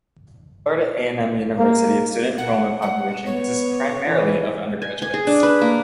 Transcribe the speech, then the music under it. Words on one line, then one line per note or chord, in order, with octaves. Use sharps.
Florida A and M University student enrollment population consists primarily of undergraduates.
A#3
F#5
F#5
B3 C#5
E3
G#5
G#5
G#4
D4
B4
A#3